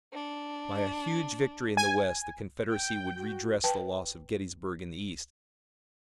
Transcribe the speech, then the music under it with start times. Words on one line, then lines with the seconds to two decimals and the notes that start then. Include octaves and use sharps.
By a huge victory in the West the Confederacy would redress the loss of Gettysburg in the East.
0.12 D4
1.77 G#5
2.72 G5
3.16 F#4
3.64 B4 G5 A5